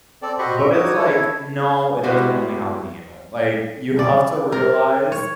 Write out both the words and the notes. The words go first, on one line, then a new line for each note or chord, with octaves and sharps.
But, it's like, "No, it doesn't only happen to you," like, you have to realize
C4 A4 D5
F#4 G4 C5 D#5 B5 C#6
E5 A#5
D#4 F#4 C#5 D6 D#6
E4 A4 C#5
G3 G#3 B3 E4 F#4 G4
D5
A#4
C#5